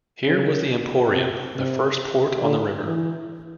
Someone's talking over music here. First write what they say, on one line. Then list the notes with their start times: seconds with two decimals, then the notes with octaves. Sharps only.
Here was the "Emporium", the first port on the river.
0.25 C#3
1.12 C3
1.56 C3
2.42 D3
2.85 E3